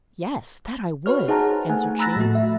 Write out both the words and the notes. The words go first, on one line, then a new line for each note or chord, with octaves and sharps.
'Yes, that I would!' answered she.
F#4 B4 C#5 F6
D#4 G#4 C5 F#5 A5 A#5
A3 F#5 G#5
A#5 B5 E6 F#6 A6 A#6
A2 F3 A3 F#4
E5